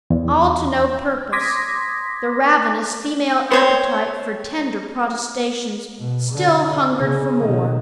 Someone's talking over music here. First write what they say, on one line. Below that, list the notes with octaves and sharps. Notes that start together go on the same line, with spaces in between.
All to no purpose! The ravenous female appetite for tender protestations still hungered for more.
E2
C6 D6 D#6 G#6 A#6 B6
C5 C#5 G5
B2
D3
C#3
B2 D#3